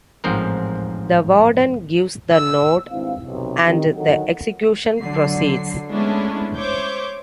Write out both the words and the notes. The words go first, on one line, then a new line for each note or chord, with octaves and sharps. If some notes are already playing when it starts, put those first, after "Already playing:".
The warden gives the nod, and the execution proceeds.
A1 G#2 F3 C4 A#4
E6
G#1 G2 C4 E4 F5
B1 C3
D#3 G3 C4
D3 D#3 F#3 A4 D#5 F#5
D3 F#3 C7
G#3 A3 B3 C#4 D4 E4
C5 C#5 E5 D6 G6